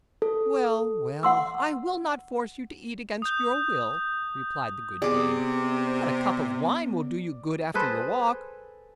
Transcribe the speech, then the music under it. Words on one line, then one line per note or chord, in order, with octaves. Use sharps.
"Well, well, I will not force you to eat against your will," replied the good dame "But a cup of wine will do you good after your walk."
A4
F#5 C6 E6
D#6 G6
C3 B3 G#4 D5 D6
G#4 A4 B4 C5